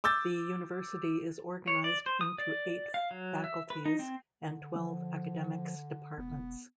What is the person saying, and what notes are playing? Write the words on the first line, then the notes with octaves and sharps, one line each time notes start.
The university is organized into eight faculties and twelve academics departments.
D6 E6 G6 A6
C#5
D5
C5
D#6
D5
F5
F#3
E5
B4
D#4
C4
D3
F3
E1 B3